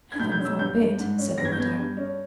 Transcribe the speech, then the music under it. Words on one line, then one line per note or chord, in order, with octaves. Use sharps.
"Heaven forbid!" said the widow.
G#6
B1 G6
G6
C#4
E6
G2 G6
G2
G#2
C#4
G1 A#6
G#6
G6
B3 G#6
G2
C#4